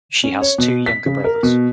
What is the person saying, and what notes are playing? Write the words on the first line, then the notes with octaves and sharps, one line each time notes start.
She has two younger brothers.
C#4
C#5
B2
B6
C#3
A#4
B2